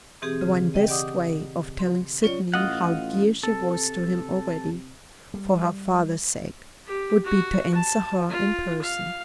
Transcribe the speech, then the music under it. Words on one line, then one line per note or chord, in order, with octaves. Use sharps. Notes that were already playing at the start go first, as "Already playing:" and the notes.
The one best way of telling Sydney how dear she was to him already, for her father's sake, would be to answer her in person.
B2 E3 C4 G4 G#4
C#3
D#5 G5
G4 D5 F#5 D6 D#6
C6
F#3 C#4 F4 C#5 D5
A1 F4 D#5 F#5
C3 A4
G3
G4
F#4
A5
F4
F5